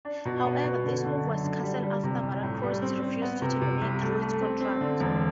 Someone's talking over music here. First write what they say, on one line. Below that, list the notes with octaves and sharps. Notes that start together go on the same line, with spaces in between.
However, this move was cancelled after Veracruz refused to terminate Ruiz's contract.
D4
B2
B3
B2
D3
D3
F#2
D3
G3
G3
C3
C2
A2
G3
C4
C4
B3
C3
C3
C2
A3
A3
C4
C4
D3
E1